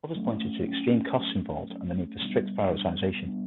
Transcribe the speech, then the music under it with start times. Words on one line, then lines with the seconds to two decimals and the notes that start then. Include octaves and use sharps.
Others pointed to the extreme costs involved and the need for strict prioritisation.
0.15 F#3 A3 C#4
0.67 F#3 A3 C#4
1.18 F#3 A3 C#4
1.70 F#3 A3 C#4
2.21 B2 G3 B3 D4
2.73 B2 G3 B3 D4
3.24 B2 G3 B3 D4